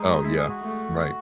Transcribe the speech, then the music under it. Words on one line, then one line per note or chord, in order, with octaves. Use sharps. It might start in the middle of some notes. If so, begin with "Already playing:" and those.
Oh, yeah. Right.
Already playing: G#3 D#4
E4
G#4
F#4
A3